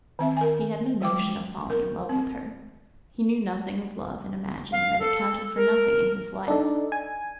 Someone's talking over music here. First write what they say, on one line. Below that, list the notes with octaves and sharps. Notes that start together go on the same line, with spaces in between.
He had no notion of falling in love with her. He knew nothing of love and imagined that it counted for nothing in his life.
D#3 C4 E5
A#4 G#5
F#3 G#3 G5 D6
A#4
C4
F5
A4
A#4
D4 D#4 A4
G#5